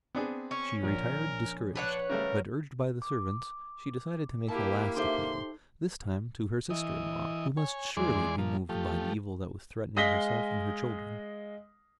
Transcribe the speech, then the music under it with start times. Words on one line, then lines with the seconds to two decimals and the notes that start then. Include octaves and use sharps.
She retired discouraged, but, urged by the servants, she decided to make a last appeal, this time to her sister-in-law, who must surely be moved by the evil that was threatening herself and her children.
0.15 B3 C4 D4 G#4
0.51 C#4 C#6
0.83 A#1 A#4
1.75 D4 B4 C#5 F#5
2.09 C#3 G3 A3 A#4
3.02 D6
4.48 A#3 E4 G4 A5
4.97 D#4 G4 A4 C5 E5 C6
6.70 E3 D#5
7.57 C#5 G#5
7.97 E2 G#3 G#4 D5 C6 D6
8.38 A#2 F3
8.69 F3 A3 G4
9.96 G#3 D#5 F5 A#6 B6 G7